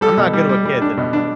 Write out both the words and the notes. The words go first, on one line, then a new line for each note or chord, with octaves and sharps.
I'm not good with kids," and I'm like
G3 A4
B2
G3
G3
G3
D4
B2
D4